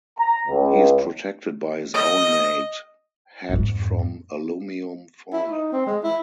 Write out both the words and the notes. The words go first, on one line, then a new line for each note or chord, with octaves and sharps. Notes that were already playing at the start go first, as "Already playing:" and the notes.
He is protected by his own made hat from alumium foil.
A#5
C#2
D#5
F2 G#2
E4
D#4
C4
G#3
E4